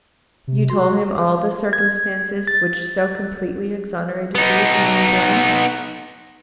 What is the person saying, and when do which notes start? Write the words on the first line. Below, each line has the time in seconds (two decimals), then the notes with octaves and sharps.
"You told him all the circumstances--which so completely exonerated you from any blame?"
0.47 C3
0.70 F#4 C6
1.73 G#6
2.47 A6
4.35 B3 D#4